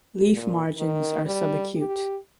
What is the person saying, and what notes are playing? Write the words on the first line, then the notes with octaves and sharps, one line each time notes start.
Leaf margins are subacute.
A#2
D#3
G3
G4